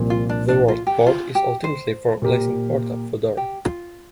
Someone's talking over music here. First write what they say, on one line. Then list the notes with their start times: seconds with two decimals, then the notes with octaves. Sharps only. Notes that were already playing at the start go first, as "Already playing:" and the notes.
The word "port" is ultimately from Latin "porta" for door.
Already playing: C2 A#2 F3
0.10 F4
0.29 D4
0.48 D4
0.68 F4
0.87 G4
1.07 F4
1.35 G4
1.64 C5
2.22 A#2 A#3 G4 A#4
3.37 G4
3.66 F4